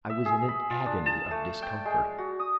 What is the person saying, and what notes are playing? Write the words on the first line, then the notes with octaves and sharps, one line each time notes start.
'I was in an agony of discomfort.
E5
G#4
B5
F4
D4
A5
A3
G5
G#3
F#4
D#6